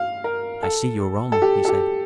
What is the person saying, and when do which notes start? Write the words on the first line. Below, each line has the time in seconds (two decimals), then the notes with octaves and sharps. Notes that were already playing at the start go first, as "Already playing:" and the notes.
"I see you're on," he said.
Already playing: F5
0.24 A#4
0.63 A4
1.32 A4
1.42 G4
1.65 A4
1.68 G4